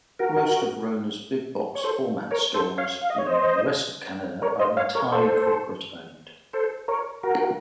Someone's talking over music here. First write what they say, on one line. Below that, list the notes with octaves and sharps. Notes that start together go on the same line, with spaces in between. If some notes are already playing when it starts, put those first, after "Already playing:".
Most of Rona's big-box format stores in the rest of Canada are entirely corporate-owned.
F#4 A#4
C#5
A4 C5
A#4 C#5
A4 C5
C#5 F5
F5
D#5
C#5
C5 D#5
A#4 C#5
C5 D#5
C#5 F5
A#4 C#5
A4 C5
A4 C5
A#4 C#5
F#4 A#4